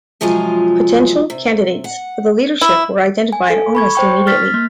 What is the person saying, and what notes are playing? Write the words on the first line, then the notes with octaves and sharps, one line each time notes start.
Potential candidates for the leadership were identified almost immediately.
C3 F3 F#3 G#3 F4 G#4
C3
F#5
E4
G#5
A4 G#5
B5 C#6 G#6
C5 G5 C#6
F6 A6 B6
A#3